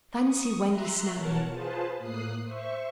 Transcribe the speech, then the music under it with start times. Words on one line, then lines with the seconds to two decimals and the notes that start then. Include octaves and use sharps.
Fancy Wendy snapping.
0.18 C#6 D#6
0.65 E5 A#5 C6 F#6
1.11 B2 E3 A#4 C#5 F#5 A5
1.48 F4 G#4 B4 C5 A5
1.98 A2 A#3 D#6 F#6 C7
2.44 C5 E5 C#6